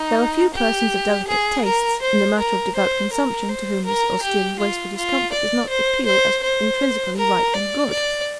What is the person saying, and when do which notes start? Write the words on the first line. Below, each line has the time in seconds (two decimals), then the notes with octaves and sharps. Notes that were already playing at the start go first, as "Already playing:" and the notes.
There are few persons of delicate tastes, in the matter of devout consumption to whom this austerely wasteful discomfort does not appeal as intrinsically right and good.
Already playing: D#4
0.54 G4
1.28 G#4
1.65 A#4
2.02 C5
2.39 A#4
2.76 C5
3.13 A#4
3.49 C5
3.85 A#4
4.22 G4
4.59 F4
4.96 F4
5.33 D5
5.69 C5
6.06 C5
6.43 C5
7.17 A#4
7.54 D5
7.90 D5